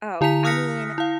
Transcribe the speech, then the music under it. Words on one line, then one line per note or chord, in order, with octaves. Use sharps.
Oh, I mean,
D3 E4 G#5 A#5 B6 F7
D#6 F6 F#6 A#6 B6 C#7
E4 F5